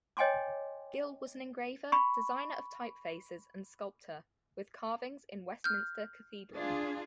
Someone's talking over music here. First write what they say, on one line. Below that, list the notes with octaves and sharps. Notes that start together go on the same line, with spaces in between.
Gill was an engraver, designer of typefaces and sculptor, with carvings in Westminster Cathedral.
C#5 D#5 G5 G#5 C6 D6
B5 C#6
F6 G6
D4 F4 G#4